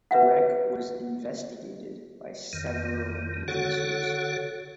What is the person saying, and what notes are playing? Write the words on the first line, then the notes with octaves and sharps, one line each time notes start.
The wreck was investigated by several agencies.
B4 C#5 E5 F#5
F2 D#3
D3 F#4 A4 C#5 F#5